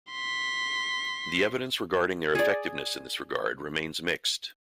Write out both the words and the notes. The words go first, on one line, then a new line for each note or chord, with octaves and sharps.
The evidence regarding their effectiveness in this regard remains mixed.
C6 B6
G#4 D5